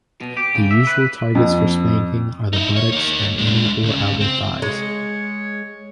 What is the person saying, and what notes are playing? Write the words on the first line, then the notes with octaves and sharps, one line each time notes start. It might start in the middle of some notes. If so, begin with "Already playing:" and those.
The usual targets for spanking are the buttocks and inner or outer thighs.
B2
G4
C#3
E5
B4
F2
D#4 E4
C#5
A#3 D#4
G#3 D4
C#2 C#3
C4
G#3 C#5